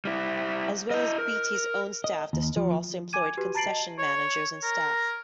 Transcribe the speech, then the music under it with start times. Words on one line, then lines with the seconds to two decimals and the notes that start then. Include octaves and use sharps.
As well as Beatties own staff the store also employed concession managers and staff.
0.05 G3 E4
0.91 E4 D#5
1.18 A#4
2.04 D#5
2.33 D#2
2.57 F3
3.13 G#5 D6 G#6 D#7
3.26 G#6
3.37 F#4 G4 B4
3.55 A5 A#5 A6 C7 D7 F#7
3.68 D#5 A5
3.99 C#5
4.63 A#4